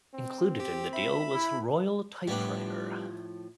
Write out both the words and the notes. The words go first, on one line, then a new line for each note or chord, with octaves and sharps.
Included in the deal was Royal Typewriter.
C4
G4
E5 B5
E4
A2 F3 G3 B3 D4